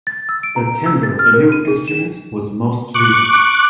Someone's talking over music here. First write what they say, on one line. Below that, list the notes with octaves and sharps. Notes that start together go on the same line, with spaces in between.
The timbre of the new instrument was most pleasing.
A6
E6
D7
A#5
E6
A6
F6
A#4
D#7
G#4
E7
C#6 D6 F#6